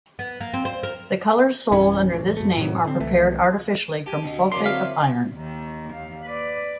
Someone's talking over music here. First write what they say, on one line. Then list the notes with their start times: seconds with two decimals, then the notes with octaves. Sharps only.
The colors sold under this name are prepared artificially from sulfate of iron.
0.19 B3
0.41 A#3
0.53 C4
0.65 C5
0.83 A#4
1.71 B1 G2 E3 C#4
2.12 E1 A1
2.37 F#2 A3
2.57 A2 C3 F#3
2.84 D3 C4
3.00 C2 E3 A3
4.06 G4 G#5 A5
4.22 D2 B2
4.52 D3 F#3 A#3 B3 D5 C6
4.64 C4 E4 F5 C#6 B6
5.34 D#2 D#3
5.93 D#2 F5
6.24 B4 D5